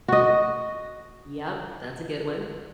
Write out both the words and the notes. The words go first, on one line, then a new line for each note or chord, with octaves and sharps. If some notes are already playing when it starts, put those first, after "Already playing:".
Yep, that's a good one.
F#4 D#5